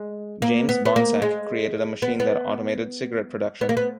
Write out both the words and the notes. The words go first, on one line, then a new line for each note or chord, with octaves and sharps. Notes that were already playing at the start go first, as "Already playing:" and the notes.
James Bonsack created a machine that automated cigarette production.
Already playing: G#3
A#3
B3
B3
A#3
G#3
B3
B3
B3
A#3
B3